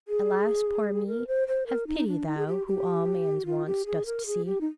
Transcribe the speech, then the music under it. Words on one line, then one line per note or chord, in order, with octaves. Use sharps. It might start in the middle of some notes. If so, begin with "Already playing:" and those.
Alas, poor me! Have pity, Thou, who all man's wants dost see.
G#4
A#4
C5
C5
A#4
D#4
D4
D#4
G#4
G4
G4
F4
G4
G#4
A#4
G#4
G4
D#4